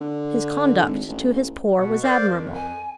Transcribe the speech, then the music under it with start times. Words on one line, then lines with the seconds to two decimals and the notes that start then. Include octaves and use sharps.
His conduct to his poor was admirable.
0.01 D3
0.87 G#1
1.08 A1
1.79 B2 F#5
2.03 A#4 C5 D5 F5
2.31 F2
2.54 G#5